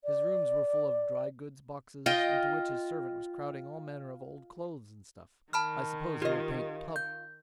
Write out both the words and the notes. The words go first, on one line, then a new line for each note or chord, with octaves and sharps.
His rooms were full of dry goods boxes, into which his servant was crowding all manner of old clothes and stuff: I suppose he will paint 'Pub.
D5
F4 D#5 G5
D#3 A5 B5 F6
F4 G4 D#5
G6